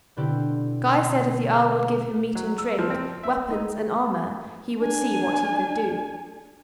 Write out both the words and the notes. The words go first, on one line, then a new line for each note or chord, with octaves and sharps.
Guy said if the earl would give him meat and drink, weapons and armor, he would see what he could do.
B2 D3 B3 C4 E4 G4
F#3
E6
F3
C4
E5
D#4
D4 G#5